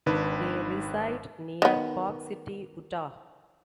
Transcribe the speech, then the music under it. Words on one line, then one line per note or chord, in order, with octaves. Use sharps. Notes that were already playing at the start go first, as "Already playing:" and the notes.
They reside near Park City, Utah.
G#1 D#3 D4 B4 B5
D#3 B3